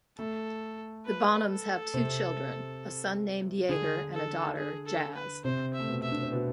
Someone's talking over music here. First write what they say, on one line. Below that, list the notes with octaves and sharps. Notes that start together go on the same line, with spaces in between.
The Bonhams have two children: a son named Jager and a daughter, Jaz.
A3 A4
B4
A4
C3 C4
D3 D4 G#4
A4
G#4
A4
B4
C3 C4 C5
E5
A3
B2 B3
E5
D4
C4
B2 B3